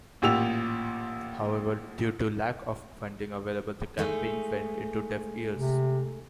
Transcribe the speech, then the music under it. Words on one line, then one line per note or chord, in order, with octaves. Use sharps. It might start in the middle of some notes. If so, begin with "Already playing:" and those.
However, due to lack of funding available, the campaign went into deaf ears.
A1 A#2 G4 E6 F7
G#3 A3 D#4
C3